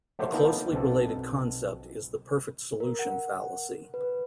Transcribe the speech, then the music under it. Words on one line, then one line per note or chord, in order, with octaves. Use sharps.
A closely related concept is the perfect solution fallacy.
F#3 A3 G4 C5
A#3 B3 D#4 F4 A4 G5
B1 B2 C4 A4
A#4
F#5
B4